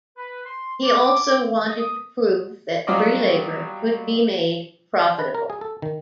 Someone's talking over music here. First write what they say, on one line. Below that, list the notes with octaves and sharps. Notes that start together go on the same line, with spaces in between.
He also wanted to prove that free labour could be made profitable.
B4
C6
D6
D#5
D#6
F#3 G3 F4 F#4 D5 D#5
D5
B4
A#4
G#4
A4
D#3